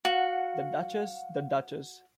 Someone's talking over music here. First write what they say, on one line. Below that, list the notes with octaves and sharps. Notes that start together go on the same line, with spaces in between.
The Duchess, the Duchess!
F#4 F5 F#5